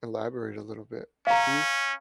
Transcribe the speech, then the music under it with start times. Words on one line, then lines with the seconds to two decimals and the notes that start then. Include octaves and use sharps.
elaborate a little bit. If you
1.27 C#4 F5 A#5